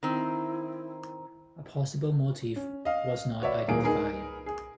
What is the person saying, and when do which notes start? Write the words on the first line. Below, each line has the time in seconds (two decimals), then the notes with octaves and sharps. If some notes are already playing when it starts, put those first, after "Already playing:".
A possible motive was not identified.
0.03 D#3 C4 E4
2.56 C#4
2.85 D#5 F5
3.41 F#4 B4 C#5 D5 E5
3.68 D#1 A#2 E3 A#3 G#4 D7
3.82 D#4 G#4 A#4 B4
4.46 G#4